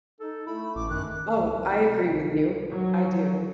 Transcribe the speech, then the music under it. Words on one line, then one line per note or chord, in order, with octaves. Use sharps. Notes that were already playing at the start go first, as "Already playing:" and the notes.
Oh, I agree with you, I do.
D#4 A4
A3 E4 B5
A1 D6
F#2 D#3 F#6
C2
F#3